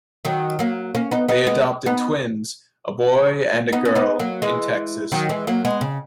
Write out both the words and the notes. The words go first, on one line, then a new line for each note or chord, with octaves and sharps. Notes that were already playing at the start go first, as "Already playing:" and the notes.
They adopted twins, a boy and a girl, in Texas.
D#3 F#3
F#3 A#3
A#3 C#4
B3 D#4
B3 D#4
G#3 B3
B3 D#4
B3 D#4
C#4
B3 D#4
F#3 A#3
E3 G#3
D#3 F#3
E3 G#3
F#3 A#3
G#3 B3
C#3